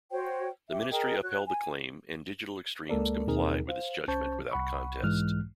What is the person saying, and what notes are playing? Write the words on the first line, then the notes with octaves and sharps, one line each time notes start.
The Ministry upheld the claim and Digital Extremes complied with its judgment without contest.
F#4 C5 C#5 G5
G4 E5
G#4 A#4 D#5 G5
F#4 C#5 F#6
G#5
C#2 G#3 A#3 A4 A#4 D5
D#2 B2 C4 D#4 G#4 A#4
C5 F5
C2 C#4 C5 A5 C#6 G6
C2 F#5 B5 C#6
B1 G#2 E3 G#3 F6 F#6